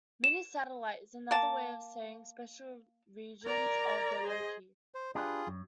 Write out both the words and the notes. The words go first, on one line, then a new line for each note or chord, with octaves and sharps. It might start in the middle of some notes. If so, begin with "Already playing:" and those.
Minisatellite is another way of saying special regions of the loci.
E7
A#3 A5
A#4 D5 A#5 G#6
G#4 C5 D#5
C5
D4 F4 G4 G#4 B4
F#2